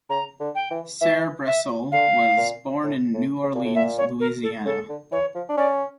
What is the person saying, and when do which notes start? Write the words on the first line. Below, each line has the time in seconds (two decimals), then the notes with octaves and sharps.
Sarebresole was born in New Orleans, Louisiana.
0.10 C#3 A#5
0.40 D3
0.55 G5
0.71 E3
1.01 E3 E5
1.47 E5
1.92 D3 F5
2.37 A#2
2.83 A2
3.14 A2
3.44 C#3
3.55 A#2
3.65 A2
3.75 A#2 E5
3.98 C#5
4.20 A#4
4.43 A4
4.66 C#3 A4
4.89 D3
5.12 E3 C#5
5.35 F3
5.49 D4
5.57 C#4 D5